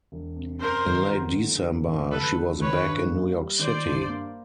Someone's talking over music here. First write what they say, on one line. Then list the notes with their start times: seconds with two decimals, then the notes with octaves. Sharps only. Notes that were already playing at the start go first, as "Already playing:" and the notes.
In late December, she was back in New York City.
0.12 E1
0.36 C3
0.61 F#2 A#4 C5
0.85 G#1
1.11 F#3
1.36 D3
1.60 F#2
1.86 G#1
2.11 F#3 A4 B4
2.35 D3
2.60 D#3 B4 C#5
2.85 G2
3.10 A#3
3.35 G3
3.59 D#3 C5 D5
3.85 G2
4.09 A#3